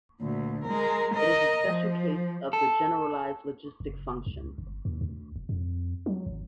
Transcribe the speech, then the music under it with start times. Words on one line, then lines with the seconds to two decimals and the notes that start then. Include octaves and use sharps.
It is a special case of the generalised logistic function.
0.21 D2 A#2
0.64 G#3 A#4
1.14 A#4 D#5
1.67 F3
2.53 A4
3.80 F#1
4.26 C#2
4.58 G1
4.85 D#2
5.01 D2
5.36 E1
5.49 F2
6.06 F#3
6.26 G#1